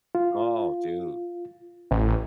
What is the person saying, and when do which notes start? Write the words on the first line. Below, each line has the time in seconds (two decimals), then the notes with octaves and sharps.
Oh, dude.
0.15 F4
1.91 A1